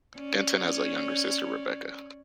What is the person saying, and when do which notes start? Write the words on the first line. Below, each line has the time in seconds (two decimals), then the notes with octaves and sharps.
Denton has a younger sister, Rebecca.
0.17 C#4 C#5 D5